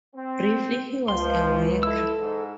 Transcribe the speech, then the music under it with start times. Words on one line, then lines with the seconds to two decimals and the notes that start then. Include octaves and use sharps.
Briefly, he was a worker.
0.16 C4
1.08 C#2 F3 C6
1.83 E4 A4 E6
2.19 G#2